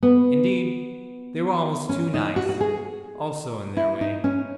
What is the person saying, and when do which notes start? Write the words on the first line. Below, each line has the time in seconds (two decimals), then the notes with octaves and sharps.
Indeed, they were almost too nice--also in their way.
0.03 B3
1.89 C#4
2.14 D#4
2.36 F#4
2.49 F#4
2.61 G#4
3.77 E4
4.01 D#4
4.24 C#4